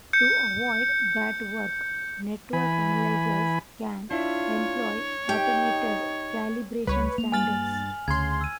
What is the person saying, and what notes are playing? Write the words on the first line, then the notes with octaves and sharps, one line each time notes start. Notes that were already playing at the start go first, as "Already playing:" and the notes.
To avoid that work, network analyzers can employ automated calibration standards.
G6 C#7
E3 G#5 B5
D4 E4 F4 C#5 E5
D#4 G4 G5
C#2 G3 B4 C#5
A#3 F7
G2 G#5 F6 A6 F#7
D2 C#3 C6 G#6
E6 D#7